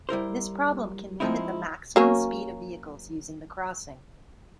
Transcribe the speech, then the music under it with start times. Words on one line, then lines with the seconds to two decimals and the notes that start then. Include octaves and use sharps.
This problem can limit the maximum speed of vehicles using the crossing.
0.09 G3 E4 A#4 C5
1.20 F3 G#3 C4 D#4 E4
1.96 F#3 A#3 C#4